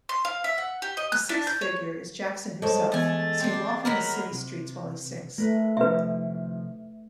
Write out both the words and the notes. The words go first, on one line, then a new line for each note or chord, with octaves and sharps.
The sixth figure is Jackson himself, seen walking the city streets while he sings.
C6
F5
E5
F#5
G4
D#5
F#6
D4
G6
C#5
G#3 A4 C5 C#5 A5
E3 A3 B3 G#5 A6
C4 D4
D#3 F#3 A#4 B5
C3
A3 A#4 B4
C3 D#3 F3 B4 E5